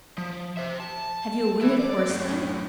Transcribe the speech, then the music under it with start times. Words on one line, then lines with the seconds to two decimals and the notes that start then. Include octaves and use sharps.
"Have you a winged horse, then?"
0.18 F3
0.57 C5 E5
0.80 A5
1.61 E3 E4
1.79 D5
2.08 F#2 A2